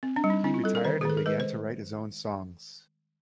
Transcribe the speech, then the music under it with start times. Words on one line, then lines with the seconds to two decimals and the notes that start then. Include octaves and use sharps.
He retired and began to write his own songs.
0.03 C4
0.16 D4
0.24 G3
0.30 D#4
0.44 C4 E4
0.54 F4
0.64 G3 A4
0.75 A#4
0.85 D#3 C5
1.01 G#4
1.05 D#3 A4
1.17 A#4
1.26 G#3 B4
1.40 C5